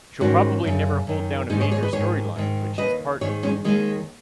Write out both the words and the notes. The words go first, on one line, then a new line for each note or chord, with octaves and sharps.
She'll probably never hold down a major storyline but she's part of the weave.
G#2 D#3 C#4 F#4
F#2 C#3
F#2 D#3
G#2 D#3 D#4 G#4
G#4 C#5
G#4 C#5
B4 D#5
G#2 D#3 G#4 C#5
G#2 D#3
D#2 D#3 B4 D#5
G#2 D#3 G#4 C#5
G#3 C#4
D#2 D#3 G#3